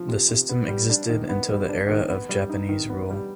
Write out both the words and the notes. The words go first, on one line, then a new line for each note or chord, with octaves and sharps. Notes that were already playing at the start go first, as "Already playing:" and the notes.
The system existed until the era of Japanese rule.
Already playing: F3
C3
C3
B3
G3
D4
D#3
B3
G3
D4
D#3
B3
G3
D#4
D#3
B3
G3